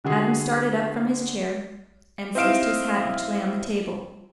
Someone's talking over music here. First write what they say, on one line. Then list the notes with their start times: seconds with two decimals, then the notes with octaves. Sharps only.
Adam started up from his chair and seized his hat, which lay on the table.
0.04 D3 G3 F#4 G#4
2.35 C4 D#4 E4 F5 D7 E7